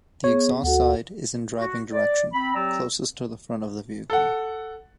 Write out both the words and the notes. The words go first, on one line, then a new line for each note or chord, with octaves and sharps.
The exhaust side is in driving direction, closest to the front of the vehicle.
B3 G#4 C#5
D2 F#4 A4 F#5
F#4
D5
C4 B5
F#3 C4 G4 D5 A#5 E6
A4 F#5